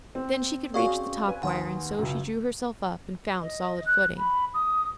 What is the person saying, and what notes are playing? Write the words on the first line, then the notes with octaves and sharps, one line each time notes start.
Then she could reach the top wire, and so she drew herself up and found solid footing.
C4
C#4 F#4 G#4 D5 F5 C#6
B4 G#5
D#2 F#5 C6 D#6
C#2 F#2
D#5
F#6
B5
D#6